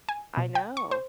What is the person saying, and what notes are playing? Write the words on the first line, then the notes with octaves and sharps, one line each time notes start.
I know.
G#5
B2
G5
C#6
C5